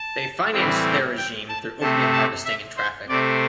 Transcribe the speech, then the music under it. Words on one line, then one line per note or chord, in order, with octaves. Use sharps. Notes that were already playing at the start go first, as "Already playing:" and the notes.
They financed their regime through opium harvesting and traffic.
Already playing: A5
A2 E3 G3 C4
G5
A5
C3 A3 C4 A5
A5
E5
C5
C3 A3 C4 D5